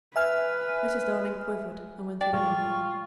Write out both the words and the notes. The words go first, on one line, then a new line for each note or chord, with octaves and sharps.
Mrs. Darling quivered and went to the window.
B4 E5 G#5 F6
D5 G5
A2 G3 G#3 F4 C#6